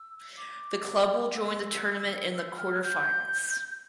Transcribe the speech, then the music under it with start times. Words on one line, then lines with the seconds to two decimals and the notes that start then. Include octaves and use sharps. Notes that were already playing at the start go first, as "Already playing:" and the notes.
The club will join the tournament in the quarterfinals.
Already playing: E6
0.37 D6
1.36 E6
2.34 E6
2.58 F6
2.83 G6